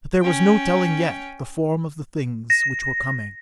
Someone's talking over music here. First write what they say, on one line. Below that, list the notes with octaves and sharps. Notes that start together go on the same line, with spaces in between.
But there was no telling, yet, the form of the things which were coming.
C#4 G5
A#6